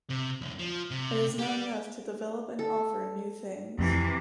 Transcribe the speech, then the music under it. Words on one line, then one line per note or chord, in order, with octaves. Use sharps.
It is not enough to develop and offer new things.
C3
B1 E2
F3
C3
G4 D5
A4
F2 C3 E3